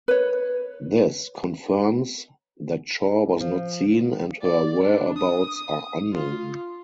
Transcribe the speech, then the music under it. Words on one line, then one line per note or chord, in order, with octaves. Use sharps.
This confirms that Shaw was not seen and her whereabouts are unknown.
B4 C#5
F3
D5
D4
D#6
F4